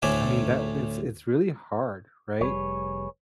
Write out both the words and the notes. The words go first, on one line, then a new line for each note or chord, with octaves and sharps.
I mean, that it's it's really hard, right?
D2 A2 C#4 D5 E5 G#5
F1 G3 G#4 B4 C#5